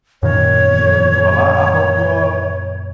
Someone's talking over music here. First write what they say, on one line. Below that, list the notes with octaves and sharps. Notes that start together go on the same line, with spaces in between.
Yeah, man. Well, I I hope you all
F#2 A#2 D#3 C#5